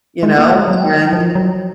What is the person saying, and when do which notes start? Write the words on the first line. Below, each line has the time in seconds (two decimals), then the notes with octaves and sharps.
you know? And,
0.23 G#3
0.38 A#3
0.53 G#3
0.68 F#3
1.13 F3
1.35 F#3